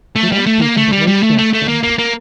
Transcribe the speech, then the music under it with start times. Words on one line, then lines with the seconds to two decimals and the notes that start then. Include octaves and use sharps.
It empties into Lake Jackson.
0.16 A3
0.32 G3
0.46 A3
0.61 A#3
0.77 A3
0.92 G3
1.07 G3
1.23 A3
1.38 A3
1.53 A3
1.68 A#3
1.83 A#3
1.98 A#3